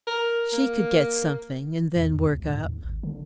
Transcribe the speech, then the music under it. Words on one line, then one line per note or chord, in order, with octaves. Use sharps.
She could get something and then work up.
A#4
A#3
E2
E2
C#2
G#2
D#2
G#1
D3